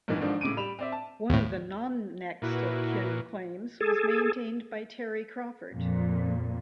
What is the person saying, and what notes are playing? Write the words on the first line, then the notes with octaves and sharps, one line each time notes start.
One of the non-next of kin claims was maintained by Terri Crawford.
B1 G2 D#3 E3
G#2 D3 D#3 F3 D4
A2 C#3 D6 D7 D#7
G3 B5 E7 F7
C4 D5 E5
A5
D#2 A2
A#2 E4 F#4 B4
G#4 A4
F2 A#2